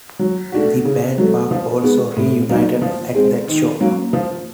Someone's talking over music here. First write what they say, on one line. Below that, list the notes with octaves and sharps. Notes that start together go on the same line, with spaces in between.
The band Park also reunited at that show.
F#3
A3 D4 F#4
C#3
F#3 A3
F3
G#3 B3
A2
F#3 A#3 D#4
F3
G#3 C4
D#3
F#3 A#3 C#4
F3